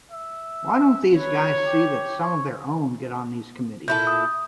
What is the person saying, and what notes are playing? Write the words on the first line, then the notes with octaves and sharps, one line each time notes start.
Why don't these guys see that some of their own get on these committees?
E5
B4 C#5
G4
C#5
A#2 E4 A4 G6
D#6